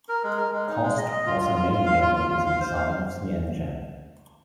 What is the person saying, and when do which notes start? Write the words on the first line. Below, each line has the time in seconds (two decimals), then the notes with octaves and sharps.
Cost was the main goal in the design of the engine.
0.09 A#4
0.24 G#3
0.37 A#4
0.52 G#3
0.68 D#4
0.83 G#3
0.98 D#5
1.12 D#5
1.26 F4
1.41 F4
1.56 F4
1.72 F4
1.86 F5
2.01 F4
2.15 F4
2.31 F4
2.46 F5
2.60 C5
2.75 F5